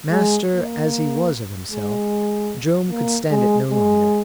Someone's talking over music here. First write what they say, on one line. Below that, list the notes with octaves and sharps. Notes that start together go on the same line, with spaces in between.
Master as he was of himself, Joam could stand it no longer.
G#3
A#3
G#3
A#3
G#3
G#3